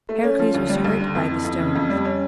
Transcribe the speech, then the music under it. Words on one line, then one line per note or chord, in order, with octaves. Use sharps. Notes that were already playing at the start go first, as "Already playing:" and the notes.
Heracles was hurt by the stones.
A3
C#4
F3
D2
G3
D2
D3
F2
E3
F2
C#3
F2
G3
C#4